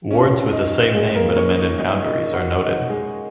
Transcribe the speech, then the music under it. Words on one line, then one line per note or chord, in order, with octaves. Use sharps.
Wards with the same name but amended boundaries are noted.
C#2 C#3 C#4
D#4
G#3 G#4
A#3 A#4
C#4 C#5
D#4 D#5
D#4 D#5
D#4 D#5
F#4 F#5
D#4 D#5
G#3 G#4